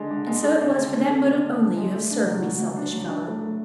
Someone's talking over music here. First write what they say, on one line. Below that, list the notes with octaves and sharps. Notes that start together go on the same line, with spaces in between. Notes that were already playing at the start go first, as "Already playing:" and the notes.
"And so it was for that motive only you have served me; selfish fellow!"
Already playing: D3 G#3 D4
D4
G#3
A4
D4
G#3
D4
A4
D4
G#3
D4
G#3
A3
D4
F#3
F#3
F#3
D4
F#3
D4
A3
A3